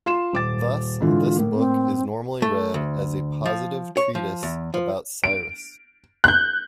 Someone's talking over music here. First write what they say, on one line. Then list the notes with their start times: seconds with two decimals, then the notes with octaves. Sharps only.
Thus this book is normally read as a positive treatise about Cyrus.
0.06 F4 C6 E7
0.33 D#1 D6 A6
1.01 G#2 D3 E3 F4
1.36 A2 A#3
1.55 C4
2.42 A3
2.74 D2
3.46 F3
3.97 C#5
4.15 F3
4.43 E2
4.74 F3
5.24 D7
6.24 F#6 G6